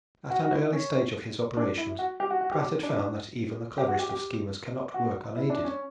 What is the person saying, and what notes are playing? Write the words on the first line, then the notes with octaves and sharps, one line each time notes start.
At an early stage of his operations, Pratt had found that even the cleverest of schemers cannot work unaided.
F#4
F#4
E4
C#4
D4
E4
F#4
G4
F#4
F#4
G4
G4
D4
G4
F#4
G4
G4
F#4
E4
D4
C#4